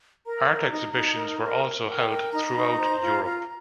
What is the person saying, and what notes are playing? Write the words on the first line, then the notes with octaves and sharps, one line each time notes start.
Art exhibitions were also held throughout Europe.
A#4 A#5
A#4
D#4
D#4
A#4
A#4
A#4
A#4
G5
A#4
D#4 A#5
D#4
C5
F4
F4